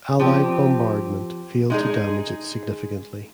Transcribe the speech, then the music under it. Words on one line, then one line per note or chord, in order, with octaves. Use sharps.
Allied bombardment failed to damage it significantly.
F3 C4 G4
G#3 D#4 G#4